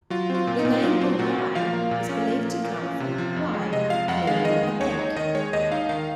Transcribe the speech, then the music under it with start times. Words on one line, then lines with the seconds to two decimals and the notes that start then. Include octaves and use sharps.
The name of Rye is believed to come from "rie" meaning a bank.
0.10 F#3 F4
0.30 C4 F4
0.47 A#2
0.59 D#4
0.65 A#2
0.83 F#3 F4
1.01 C4
1.19 A#2 F#4
1.38 A#2
1.56 F3 F5
1.73 A#3
1.91 A#2
2.09 C#4
2.28 F3
2.45 A#3
2.64 A#2
2.82 C#4
3.00 C3
3.18 F3
3.36 F2
3.54 G#3
3.72 C3 D#5
3.90 F3 F5
4.08 F2 F#5
4.27 G#3 F5
4.44 D#3 D#5
4.63 G#3
4.81 D#2 C#5
4.99 D#4
5.16 D#3 D#5
5.35 G#3 C#5
5.53 D#2 D#5
5.72 D#4 F5
5.89 D#3 F5